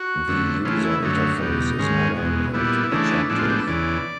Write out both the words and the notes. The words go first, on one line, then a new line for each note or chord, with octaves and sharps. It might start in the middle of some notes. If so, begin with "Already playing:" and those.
The user interface is modern and attractive.
Already playing: F#4
F2 D3 F#3 A3
C#3 E3 A3 F4
E4
F#2 D3 F#3 A3 D#4
E2 B2 G3
G#2 D#3 G#3 C#4
E2 B2 G#3
A#2 G3 B3 E4
E4
C#3 E3 A3 D4 D#4
A2 F3 G#3 B3 D4 E4
F4
G4
A4
E2 C#3 E3 D5